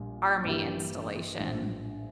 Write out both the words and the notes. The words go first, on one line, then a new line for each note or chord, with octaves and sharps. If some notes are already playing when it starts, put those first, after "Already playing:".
Army installation.
Already playing: A#1 A#2 G3
G2 E3 A#3 E4 G4
A#1 A2 F3